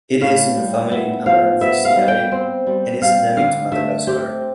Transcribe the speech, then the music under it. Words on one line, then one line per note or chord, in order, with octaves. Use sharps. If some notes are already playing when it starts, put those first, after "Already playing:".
It is in the family Amaranthaceae and is endemic to Madagascar.
A2 F5
G3
B3 E5
F3 F5
B3 E5
F5
G3
G5
C4
G3
G3 F5
D3 F5
A3 E5
C4 G4